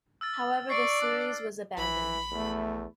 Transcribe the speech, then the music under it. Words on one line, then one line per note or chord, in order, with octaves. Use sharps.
However, the series was abandoned.
E6 F6 A6
D5 C#6 C7 D7
D4
A#1 E3 B5
E2 A3